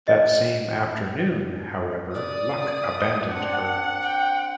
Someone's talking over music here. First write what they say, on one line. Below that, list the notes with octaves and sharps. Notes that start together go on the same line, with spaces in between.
That same afternoon, however, luck abandoned her.
D#5
D5 D#6
C4 D4 F#5
G5